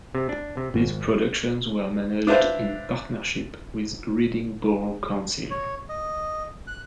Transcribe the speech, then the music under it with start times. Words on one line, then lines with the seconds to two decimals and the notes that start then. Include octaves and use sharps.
These productions were managed in partnership with Reading Borough Council.
0.15 C3
0.29 D4
0.57 C3
0.74 G#1
2.27 D4 E4 B4 C5 F5
5.51 C#5
5.89 D#5
6.67 F#6